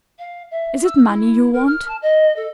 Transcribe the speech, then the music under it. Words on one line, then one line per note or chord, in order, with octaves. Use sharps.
Is it money you want?
F5
E5
E6
E4
A#4
F6
A5
D#5
A4